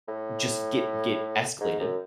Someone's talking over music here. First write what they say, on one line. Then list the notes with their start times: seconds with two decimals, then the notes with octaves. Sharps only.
just get get escalated,
0.08 A2
1.61 G#2
1.80 F#2